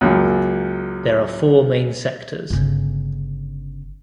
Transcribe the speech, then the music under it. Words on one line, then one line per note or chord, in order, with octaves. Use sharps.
The are four main sectors.
C#2 F#2 A#3
G1 C#3